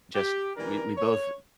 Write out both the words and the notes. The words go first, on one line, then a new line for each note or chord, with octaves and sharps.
just we we both
G4
E3 G3 D4 A#4
C#5